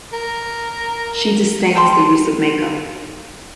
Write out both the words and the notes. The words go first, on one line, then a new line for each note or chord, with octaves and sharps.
She disdains the use of makeup.
A#4
G3 G5 A5 C6